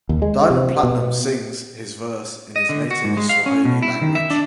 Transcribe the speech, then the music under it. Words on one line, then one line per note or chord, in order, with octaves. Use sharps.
Diamond Platnumz sings his verse in his native Swahili language.
D#2
G#3
C3
B2
D#5
D3
F#4
G#2
G#3
F5
C#4
B2
E4
D#3
E5
D4